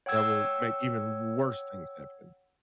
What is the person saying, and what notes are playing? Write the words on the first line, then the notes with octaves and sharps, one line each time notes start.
that will make even worse things happen
C#5 F#5 G5 E6 G#6